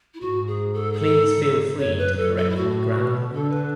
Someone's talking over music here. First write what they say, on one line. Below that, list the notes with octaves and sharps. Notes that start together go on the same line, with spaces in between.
Please feel free to correct my grammar.
E4
G#2 F#4
G#4
A4
G#4
A4
F#2 C#5
B4
F#2 A4
A4
E4
A2 F#4
B2
D3 A4
B4